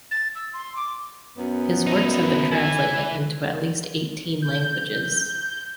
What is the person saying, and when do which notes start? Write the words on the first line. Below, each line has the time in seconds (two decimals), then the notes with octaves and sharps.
His works have been translated into at least eighteen languages.
0.11 A6
0.35 E6
0.53 C6
0.76 D6
1.37 F#2 B3
1.87 D#4 E4
2.52 E3 E4 G#5
4.42 G6